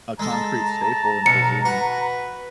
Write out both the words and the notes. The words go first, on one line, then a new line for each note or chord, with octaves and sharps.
a concrete staple in cuisine.
G#3 A4 A5 A#5
B1 C#7
F#4 B4